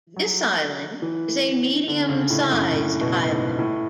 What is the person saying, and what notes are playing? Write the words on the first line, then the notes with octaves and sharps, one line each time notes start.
This island is a medium-sized island.
F#3
E3
D3
C#3
A2
F#2
A2
B2
G#2
A2